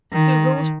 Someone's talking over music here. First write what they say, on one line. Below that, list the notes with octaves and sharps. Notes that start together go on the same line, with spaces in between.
'Here goes!
D#3